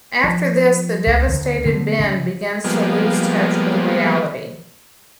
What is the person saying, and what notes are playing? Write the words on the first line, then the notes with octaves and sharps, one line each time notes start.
After this, the devastated Ben begins to lose touch with reality.
F3
C#2
D2 D3
D3 A3 B3 D4
C#3
F3 G3 G#3 A#3 B3